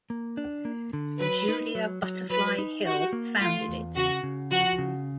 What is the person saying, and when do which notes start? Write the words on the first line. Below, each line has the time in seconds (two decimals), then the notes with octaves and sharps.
Julia Butterfly Hill founded it.
0.10 A#3
0.37 D4
0.65 A#3
0.93 D3
1.20 F#3 B4
1.48 D#4
1.75 F#3
2.03 F#3
2.30 F#3 B4
2.58 D#4
2.85 F#4 G4
3.13 A#3
3.40 A3 F4
3.68 E2
3.95 C#3 F#4
4.23 C#3
4.51 F3 F#4
4.78 C#3